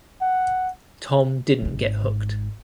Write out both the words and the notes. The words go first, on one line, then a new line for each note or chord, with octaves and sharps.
Tom didn't get hooked.
F#5
G#1 G#2